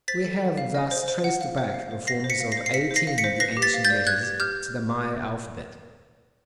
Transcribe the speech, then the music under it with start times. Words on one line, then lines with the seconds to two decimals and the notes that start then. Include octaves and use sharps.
We have thus traced back the forms of eighteen of the ancient letters to the Maya alphabet.
0.08 C5 A6 B6
0.25 A4
0.41 A4
0.57 F5
0.75 D#5
0.91 C5
1.08 C5
1.24 F#5
1.41 F5
1.58 C5
1.74 F5
1.91 C5
2.07 F5 A#6 C7
2.24 C5
2.30 B6 C#7
2.40 F5
2.52 A#6 C7
2.57 C5
2.66 C7
2.73 F5 B6 C#7
2.91 C5
2.96 A#6 C7
3.07 F5
3.18 B6 C#7
3.24 C5
3.40 B4 A#6 C7
3.57 G4
3.62 A6 B6
3.74 F5
3.85 G6 A6
3.90 D5
4.07 B4 F#6 G#6
4.23 G4
4.40 G4 F6 G6